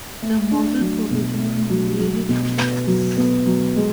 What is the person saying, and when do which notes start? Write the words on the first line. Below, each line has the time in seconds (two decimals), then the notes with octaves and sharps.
The model for vision in really complex.
0.22 A3
0.51 D4
0.81 F#3
1.11 B2
1.39 A3
1.70 F#3
1.99 F#3
2.29 B2
2.58 B3
2.87 F#3
3.17 B3
3.47 F#3
3.76 G#3